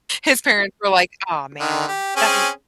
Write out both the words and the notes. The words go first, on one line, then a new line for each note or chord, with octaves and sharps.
His parents were like, "Aw, man, that he
D3 D#3
G4
C4 C#4 G#4